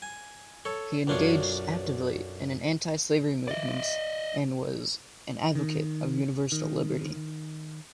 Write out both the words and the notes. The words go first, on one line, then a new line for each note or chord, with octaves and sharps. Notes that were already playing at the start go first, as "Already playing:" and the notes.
He engaged actively in anti-slavery movements and was an advocate of universal liberty.
G#5
A4 C#5
B1 F#2 D4 F4 C#5
D5 D#5
D#3
D#3